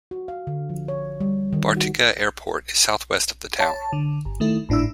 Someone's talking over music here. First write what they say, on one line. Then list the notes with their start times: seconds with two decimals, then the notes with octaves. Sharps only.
Bartica Airport is southwest of the town.
0.11 F#4
0.28 F5
0.47 D3
0.69 F3
0.88 C#5
1.20 G3
1.53 D#3
1.77 F#4
3.59 C#5 A5
3.93 D3
4.25 G1
4.40 D#3 A3 E4
4.69 G#1 A2 D4 E4 E6